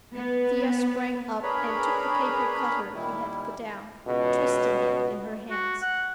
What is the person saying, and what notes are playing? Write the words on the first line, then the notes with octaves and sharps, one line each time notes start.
Thea sprang up and took the paper-cutter he had put down, twisting it in her hands.
B3
D4 G#4 A#4 B4 C#5 B5
A#2 D#3 G3 E4
C#2 B2
F#4
F#5